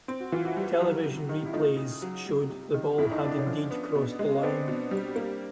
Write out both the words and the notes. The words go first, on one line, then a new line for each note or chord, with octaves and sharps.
Television replays showed the ball had indeed crossed the line.
C4
F#4
E3 F4
E4 F#4
G3
F#3
C3
D#3
E4
A3 D#4 F4
C#3
F#3
G3
C3
D#3
F2 E4
D#4
D3 D4
C#4 D#4
F3
B3
B2
G#3
B3 C4 D4
B2
G3
A#3